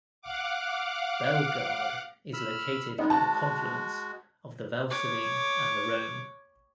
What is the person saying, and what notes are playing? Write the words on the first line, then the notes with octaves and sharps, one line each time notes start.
Bellegarde is located at the confluence of the Valserine and the Rhone.
F5 F#5 D6
B5 E6 F6
G3 G#3 B3 D#4
G#3 F#4 A5
C#5 D6